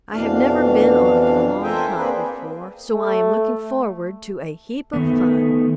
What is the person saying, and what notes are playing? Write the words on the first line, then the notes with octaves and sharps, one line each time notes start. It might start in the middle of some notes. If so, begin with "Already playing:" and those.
I have never been on a prolonged hunt before, so I am looking forward to a heap of fun.
F2 B2 E3 D4 F5
A4 A#4 C5 E5 G5 G#5
A#3 C4 D4 G#4 B4
A3
D#3 A3 B3